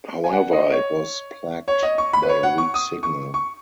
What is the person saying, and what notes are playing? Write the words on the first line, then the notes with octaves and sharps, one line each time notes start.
However, it was plagued by a weak signal.
G#5
F#5
D#5
C#5
C#5
D#5
C#6
B5
B4
C#5
F#5
C#6
D#6
C#6
C#6